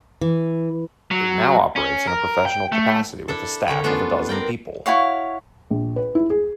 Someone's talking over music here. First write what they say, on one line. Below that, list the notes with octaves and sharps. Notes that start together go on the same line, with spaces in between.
It now operates in a professional capacity with a staff of a dozen people.
E3
F#3
C#4
A#4
G5
A3
D4 E4 A4
D3 C#5 B5
A3 B3 C#4 D4 F4
C4 A#4 D5 G5
E4 F#4 C#5 F5
A#1
B4
E4
G#4